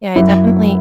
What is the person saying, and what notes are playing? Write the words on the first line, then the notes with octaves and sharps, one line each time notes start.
Yeah, I definitely
F#2 E4